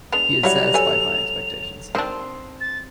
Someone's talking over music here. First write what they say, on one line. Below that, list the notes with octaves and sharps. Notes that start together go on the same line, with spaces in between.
He has satisfied my expectations.
G#3 B3 D4 F7
F#3 G3 E4 C#5 F#5
A4 B4 C#5 G#5
D#3 C4 D4 C5 D#5
A6